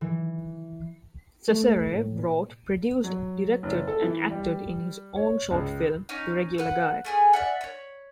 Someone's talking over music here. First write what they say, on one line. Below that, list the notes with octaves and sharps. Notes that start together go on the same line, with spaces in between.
Cecere wrote, produced, directed and acted in his own short film, "The Regular Guy".
E3
A3
A2
A#2
F#3
F#1
A4
E3
G3
C#5
C#2
C#4 D#4
B4 F#5
A3 G#4 G#5
D5 E5 F#5
C#5 B5